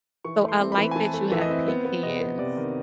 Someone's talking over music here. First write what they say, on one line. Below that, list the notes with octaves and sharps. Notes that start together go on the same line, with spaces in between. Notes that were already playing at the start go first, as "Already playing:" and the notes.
So, I like that you have pecans,
E3 C#6
A3
C6
C4
B5
E3
G#5
E3 A5
A3
E3 E5
D#5
C4 E5
B3
B3
C3 D#5
B3
C3 D5
D#3